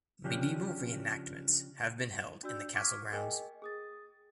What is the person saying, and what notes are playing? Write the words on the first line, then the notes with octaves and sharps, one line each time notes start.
Medieval reenactments have been held in the castle grounds.
C#3 F3 C#4 D4 G4
D4 F#4 D5 E6 G6
C#6 D6 F6 G#6 B6
G#4 A#4 D#5 G5 G#5
G#4 D#6 A6